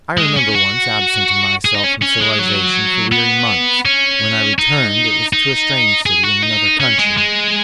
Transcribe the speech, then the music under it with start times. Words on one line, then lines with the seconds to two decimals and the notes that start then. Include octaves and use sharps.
I remember once absenting myself from civilization for weary months. When I returned, it was to a strange city in another country.
0.18 G#3
0.36 C#4
0.55 F#4
1.65 G#4
1.74 D#4
1.84 C#4
2.02 C#4
2.20 G#3
2.38 F#3
3.12 B3
3.86 C#4
4.59 D#4
5.33 D#4
6.06 G#4
6.25 F#4
6.43 D#4
6.80 C#4
6.98 G#3
7.17 G#3